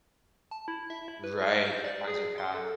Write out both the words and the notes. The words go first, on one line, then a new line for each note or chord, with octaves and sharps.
Right. She finds her path.
A5
E4
E5
E4
B4
F6
G6
D5
G#4
C6
A4